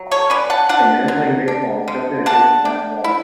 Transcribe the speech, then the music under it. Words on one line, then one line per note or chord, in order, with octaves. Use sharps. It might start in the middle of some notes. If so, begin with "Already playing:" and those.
A man playing baseball is jumping against the back wall.
Already playing: F#3
A4 C#5
C#4 B4 D5
F#5 A5
D4 F#5 A5
F#3
D4
D3
D4 F#5 A5
D4
E4